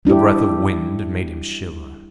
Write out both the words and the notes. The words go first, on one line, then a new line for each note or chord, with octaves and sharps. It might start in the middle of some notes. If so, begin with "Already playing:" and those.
A breath of wind made him shiver.
G3 D4 E4 G4